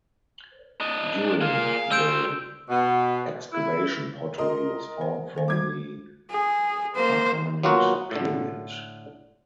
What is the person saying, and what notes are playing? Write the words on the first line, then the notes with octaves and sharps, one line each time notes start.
During the excavation pottery was found from the Achaemenid period.
D4 D#5
A#3 F4 G#4 F5
G3 C5 E6 G6 D7
B2
E4
A#4 D#5 C6
C5
D#3 A4 C5
G3 F#4 D6 G#6
G#4
A#3 C5
F#3 A#3 B3 F4 F#4
A2 D3